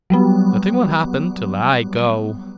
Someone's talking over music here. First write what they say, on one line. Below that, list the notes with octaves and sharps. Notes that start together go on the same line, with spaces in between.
Nothing will happen till I go.
F#3 G3 B3